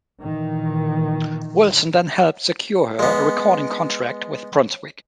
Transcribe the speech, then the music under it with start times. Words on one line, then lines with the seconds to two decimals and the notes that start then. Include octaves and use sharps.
Wilson then helped secure her a recording contract with Brunswick.
0.21 A#2 D#3 E3
2.99 G#3 B3